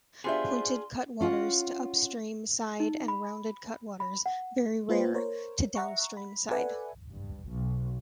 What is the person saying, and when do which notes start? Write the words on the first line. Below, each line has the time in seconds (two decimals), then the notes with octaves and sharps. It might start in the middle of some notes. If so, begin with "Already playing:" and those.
Pointed cutwaters to upstream side and rounded cutwaters, "very rare", to downstream side.
0.24 B3 D4 F4 G4 G#4 C5 E5 C6
1.21 C#4 F4 F#5
2.80 D#4
3.08 B5
4.00 B5
4.26 F#5
4.89 A#3 F4 B4 C5
5.14 A#4 C5 C#5
5.75 E5 F#5 A#5 C#6
6.17 B5
6.51 A4 B4 D5 E5 F#5 G#5
7.11 G2
7.48 B1